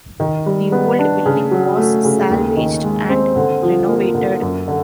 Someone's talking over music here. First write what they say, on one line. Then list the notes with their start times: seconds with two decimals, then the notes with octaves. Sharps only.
The old building was salvaged and renovated.
0.20 D#3
0.46 G3
0.72 B3
0.99 D4
1.26 C#3
1.51 F#3
1.78 A3
2.04 C#3
2.30 D#2
2.56 D#3
2.83 G#3
3.09 C4
3.36 D3
3.62 F3
3.89 A#3
4.15 D3
4.42 F#2
4.68 D3